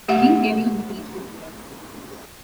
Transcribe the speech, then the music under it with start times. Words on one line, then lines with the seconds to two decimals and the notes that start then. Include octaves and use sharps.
Being heavy on the beach is worse.
0.08 A3 G4 E5 F#5